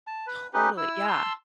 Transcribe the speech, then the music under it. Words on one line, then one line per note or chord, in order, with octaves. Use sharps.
Totally yeah.
A5
B4
C#4 D#4 G4 B4
E4 E6
A5 C6 E6